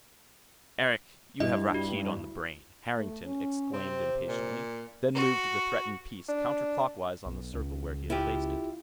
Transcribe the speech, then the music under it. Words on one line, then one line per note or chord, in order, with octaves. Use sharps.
"Eric, you have Rakkeed on the brain!" Harrington exclaimed impatiently, then moved the threatened piece counterclockwise on the circle where he had placed it.
G2 E4 D#5
F#4
A3
C#4
C3 C4
A#2
F#4
D4
B1
C#2
E4 F4 G4